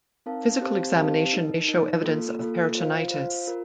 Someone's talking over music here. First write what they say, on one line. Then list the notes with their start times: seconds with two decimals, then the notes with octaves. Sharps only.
Physical examination may show evidence of peritonitis.
0.26 C4 D#4 A#4 F5 A5
0.60 C4 G4 C5 F5 A5
0.97 C4 G4 C5 F5 A5
1.32 D#4 A#4 D#5
1.68 D#4 A#4 D#5
2.03 A#3 F4 A4
2.40 A#3 F4 A4
2.75 F4 C5 F5
3.10 F4 C5 F5
3.47 F4 A#4